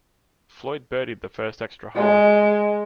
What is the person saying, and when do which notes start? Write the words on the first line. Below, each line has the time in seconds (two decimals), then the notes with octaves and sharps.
Floyd birdied the first extra hole.
1.96 G#3